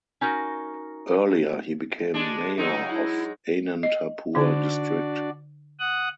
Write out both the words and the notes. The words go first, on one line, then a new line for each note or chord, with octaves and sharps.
Earlier he became Mayor of Anantapur district.
C#4 D#4 F#4 A#4
G#3 D4
F#3 G#3 D#4
E4
D#5
D3 D4 D#4 F#4 D5
F#5 D#6 F#6